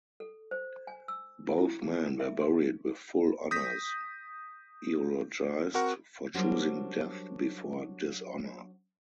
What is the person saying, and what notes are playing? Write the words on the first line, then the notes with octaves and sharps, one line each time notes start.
Both men were buried with full honors, eulogized for choosing death before dishonor.
A4
C5
G#5
E6
E4
G#4
E5
C6
D#6 G6 A#6 B6
C4 F#4 A#4 F#5 C#6
F#3 G3 D4 A#4 C5